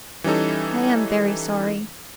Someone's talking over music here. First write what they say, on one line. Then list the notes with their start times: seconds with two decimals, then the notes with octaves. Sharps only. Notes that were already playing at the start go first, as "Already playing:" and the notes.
I am very sorry.
0.24 E3 G3 C#4 D#4 A4